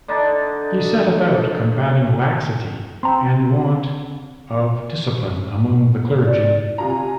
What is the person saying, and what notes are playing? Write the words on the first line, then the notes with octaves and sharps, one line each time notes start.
He set about combating laxity and want of discipline among the clergy.
D3 D4 D#4 D5
C4 A#5 C6
D5
C3 F4 G#5 A#5